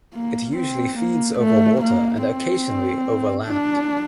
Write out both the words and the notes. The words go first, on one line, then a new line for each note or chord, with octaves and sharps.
It usually feeds over water and occasionally over land.
A#3
C4
A#3
A3
A#3
C4
D4